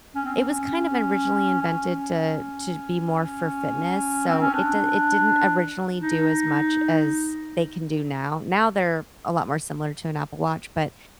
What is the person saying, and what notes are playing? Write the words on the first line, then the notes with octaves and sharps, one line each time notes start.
It was kind of originally invented to to be more for fitness, so, it d it didn't originally do as much as they can do now. Now they're a lot more similar to an Apple Watch, but
C#4
C4
C#4
C#4
C4
C#4
D4
D#4